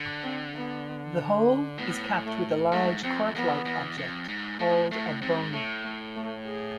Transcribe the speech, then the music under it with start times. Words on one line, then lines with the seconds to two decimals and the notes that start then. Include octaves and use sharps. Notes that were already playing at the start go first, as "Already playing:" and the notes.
The hole is capped with a large cork-like object called a bung.
Already playing: D3
0.23 C4
0.54 B3
1.78 A2 B3
2.25 A3
2.72 G#2 A3
3.03 F2 C4
3.35 E2 B3
3.65 E2
3.98 F2
4.28 G#2
4.59 A2 A3
4.91 A2 A3
5.22 G#2 C4
5.53 A2 A3
5.84 A3
6.16 A3
6.46 G#4